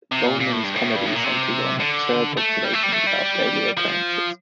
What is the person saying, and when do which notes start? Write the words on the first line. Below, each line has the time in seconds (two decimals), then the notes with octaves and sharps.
Gulman's comedy centers on absurd observations about daily occurrences.
0.12 C3
0.26 A#2
0.40 A#2
0.52 A2
0.64 G2
0.76 A2
0.96 G2
1.06 A2
1.15 A#2
1.24 C3
1.80 D3
2.37 A3
2.64 G3
2.73 A3
2.83 G3
2.93 A3
3.07 G3
3.77 F3